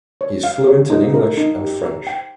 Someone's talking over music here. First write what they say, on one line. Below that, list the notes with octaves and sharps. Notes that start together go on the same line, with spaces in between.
He is fluent in English and French.
C#5
F5
C#5
D#4
A#4
D#4
G4
A#5
G5